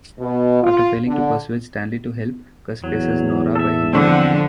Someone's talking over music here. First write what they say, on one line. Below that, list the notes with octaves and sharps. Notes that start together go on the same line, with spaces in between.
After failing to persuade Stanley to help, Gus faces Gnorga by himself.
B2
F4
D3
E2 F#3
A4 E5
D3 F3 C4 F#5 E6